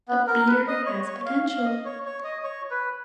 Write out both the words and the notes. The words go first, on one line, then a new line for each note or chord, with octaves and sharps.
A beater has potential.
B3
A#4
B4
D#5
C#5
C#5
F5
F5
D#5
C#5
C#5
D#5
C#5
B4